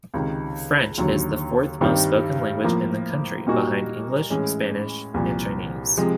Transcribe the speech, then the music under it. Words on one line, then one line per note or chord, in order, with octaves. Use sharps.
French is the fourth most-spoken language in the country, behind English, Spanish, and Chinese.
C#2 C3 D#3
D#2 D3 F#3
G2 D#3 G3 C4
A2 F3 A#3
A#2 G3 A#3 D#4 F#4
A2 E3 G#3 C#4
C2 A#2 F3
C3 F3 G#3